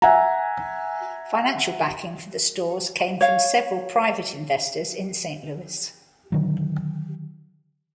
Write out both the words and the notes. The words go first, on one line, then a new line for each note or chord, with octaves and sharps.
Financial backing for the stores came from several private investors in Saint Louis.
E5 F#5 G#5 A#5
C#5 F5
D3 D#3 F#3